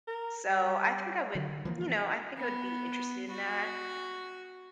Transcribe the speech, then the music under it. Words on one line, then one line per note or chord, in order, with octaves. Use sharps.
so I think I would you know, I think I would be interested in that,
A#4
G3
D3 D#3 F#3
E3 F3 A#3
B3
F#4